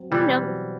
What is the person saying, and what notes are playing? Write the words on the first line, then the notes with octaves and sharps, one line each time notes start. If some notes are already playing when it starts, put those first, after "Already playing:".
You know
Already playing: F#3 C4
B2 E3 G3
F#3 C4